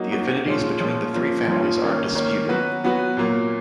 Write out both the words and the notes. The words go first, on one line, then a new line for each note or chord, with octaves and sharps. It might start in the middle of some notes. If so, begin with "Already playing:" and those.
The affinities between the three families are disputed.
Already playing: F#3 A#3 D#4 F#4
F#3 A#3 D#4 F#4
A#2 F3 G#3 C#4 F4
A#2 F3 G#3 C#4 F4
F3 A#3 C#4 F4
F3 A#3 C#4 F4
D#3 A#3 C#4
D#3 A#3 C#4
F#3 B3 F#4 B4
F#3 B3 F#4 B4
A#2 F#3 A#3